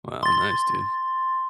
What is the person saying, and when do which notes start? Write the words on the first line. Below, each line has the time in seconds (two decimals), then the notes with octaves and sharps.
Wow. Nice, dude.
0.23 C6 A6